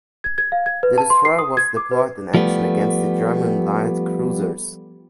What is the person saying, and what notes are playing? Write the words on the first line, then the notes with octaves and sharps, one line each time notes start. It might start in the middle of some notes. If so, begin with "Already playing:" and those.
The destroyer was deployed in action against the German light cruisers.
G#6
G#6
F5
G#6
B4
A5
C6
C7
D#6
G#6
D6
B4
F3 G3 A3 B3